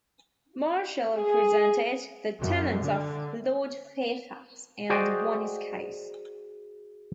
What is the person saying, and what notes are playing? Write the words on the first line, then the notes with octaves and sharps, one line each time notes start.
Marshall represented the tenants of Lord Fairfax, and won his case.
G#4
F#2
D3
F#4 G#4 C5 D5 D#5 G5